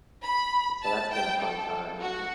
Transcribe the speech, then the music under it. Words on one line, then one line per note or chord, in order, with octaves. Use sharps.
And so that's been a fun time, and,
B5
A5
G5
A4
F#4